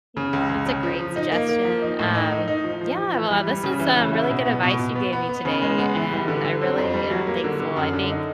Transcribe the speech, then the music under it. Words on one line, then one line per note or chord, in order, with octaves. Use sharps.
Yeah. That's a great suggestion. Um, yeah. Well, this is, um, really good advice you gave me today, and I really am thankful. I think
C#3
C#2
C#2
C#3
F3
F3
D#4
A#3
A#3
F3
D#4
A2
D#4
D#4
D#4
F3
F3
F3
E3
G3
G3
C#3
E3
C#3
E4
B2
B3
B2
B2
B3
B3
B3
C#3
G#3
B3
E3
G3
D3
D3
C4
F2
G3
F#3
A#3
D3
D3
F#2
D3
D#4